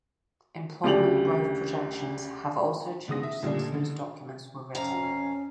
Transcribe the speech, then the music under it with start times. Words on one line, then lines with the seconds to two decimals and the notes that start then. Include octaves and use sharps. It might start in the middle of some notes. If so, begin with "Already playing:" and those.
Employment growth projections have also changed since those documents were written.
0.83 D2 C#3 G4 D5 F7 F#7
3.08 B2 D#3 G#3 D#6 A#6
3.23 E5
3.42 A#2 D3 G3 A3 C#4 D4
3.72 D3 D#3
4.75 F2 C#4 F5 A#5